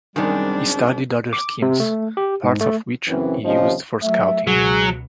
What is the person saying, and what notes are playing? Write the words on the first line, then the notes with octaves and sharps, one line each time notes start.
He studied other schemes, parts of which he used for Scouting.
F#2 C3 D#3 G3 G#3 C4 D4
D6
C3
A3
G4
G#2
A3
F#2 C#3 E3 C4 C#4
D#2 C3 F3 C#4 D#5
F#3 A3 E5
C#2 B2 F#3 G#4